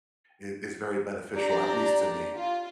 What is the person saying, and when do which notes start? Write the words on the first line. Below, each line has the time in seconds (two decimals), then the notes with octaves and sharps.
is is very beneficial, at least to me.
1.36 D4 G4 D5 A#5
2.36 F4